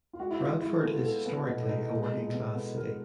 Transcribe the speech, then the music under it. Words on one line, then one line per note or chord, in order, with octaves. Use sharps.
Bradford is historically a working class city.
F4
G#3 F#4
E4
G#3 F4
G#3 E4
B3 A4
B3 A4
B3
B2
D#4
G#3
B3
B3
B3
G#3 A#4